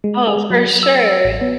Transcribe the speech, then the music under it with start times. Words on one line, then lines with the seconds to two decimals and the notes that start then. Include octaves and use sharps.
Oh, for sure.
0.04 G#3
0.27 G#4
0.50 F#3
0.83 E6
1.24 A1
1.41 B3